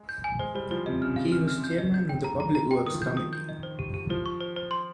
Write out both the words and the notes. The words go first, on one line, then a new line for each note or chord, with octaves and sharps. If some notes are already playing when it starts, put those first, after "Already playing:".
He was chairman of the Public Works Committee.
Already playing: G#3
G6
G#5
G#3 C5
G3 C5
F3 C5
C3 D#5
C#3 F6
F5
F6
F6
G6
D#5
G6
G5
A#5
A#5
A#5
G5
D#3 D#6
F3
D#3 G6
D#6
G6
D#5
C5
G4
G4
F3 C5
C#6
C5
C5
C6